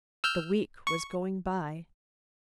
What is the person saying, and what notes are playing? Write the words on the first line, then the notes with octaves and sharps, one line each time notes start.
The week was going by.
E6 F6 G6
C#6